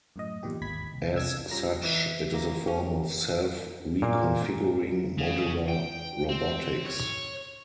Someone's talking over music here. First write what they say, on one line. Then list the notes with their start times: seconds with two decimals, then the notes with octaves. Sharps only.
As such, it is a form of self-reconfiguring modular robotics.
0.16 F#2 A2 D#5
0.43 E2 A#2 D#3 G4
0.62 G#1 D#2 B5 G#6 B6
0.94 C2
1.14 C2 D4 E6 G#6
1.51 G3 C#4 F4 A#5
1.83 E3
2.33 A#3
2.67 C#4
4.02 A#2 A#3
5.18 C#3
5.68 G5
6.29 C4
6.85 C#5